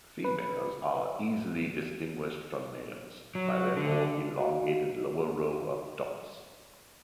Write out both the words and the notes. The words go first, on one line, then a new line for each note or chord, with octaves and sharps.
Females are easily distinguished from males by their more elongated lower row of dots.
B4
F#3
D3
F#4 D#5 F5